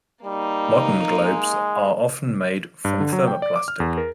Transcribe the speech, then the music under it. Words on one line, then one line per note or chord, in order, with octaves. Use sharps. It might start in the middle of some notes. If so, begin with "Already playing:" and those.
Modern globes are often made from thermoplastic.
G3 A#3 D#4
G#3
G2
D3
F#3
G5
D5
D6
F6
E2
A#4